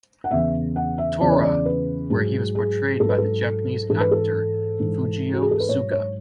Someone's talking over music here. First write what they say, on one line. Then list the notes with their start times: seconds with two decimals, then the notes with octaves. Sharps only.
Tora!, where he was portrayed by the Japanese actor Fujio Suga.
0.24 F#5
0.31 E2 C#3 E3 E5
0.76 F#5
0.98 E5
1.21 E2 C#3 E3 D5
1.31 C#5
1.42 D5
1.66 B4
2.10 G#2 F#3 G#4
2.55 G#4
3.00 G#2 F#3 A4
3.09 B4
3.18 A4
3.89 G#2 E3 A4
4.00 B4
4.11 A4
4.80 G#2 E3
5.33 F#4
5.42 G#4
5.51 A4
5.60 B4
5.69 G#2 F#3 C#5
5.92 C#5